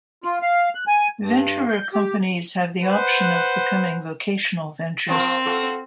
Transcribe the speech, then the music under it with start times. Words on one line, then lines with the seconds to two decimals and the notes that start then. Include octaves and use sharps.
Venturer companies have the option of becoming vocational ventures.
0.24 F4
0.42 F5
0.75 F#6
0.87 G#5
1.20 G2
1.69 G6
1.93 G4
2.84 B4 C5 F#5
5.08 F3 C4 A#4
5.46 F4 F#4 A4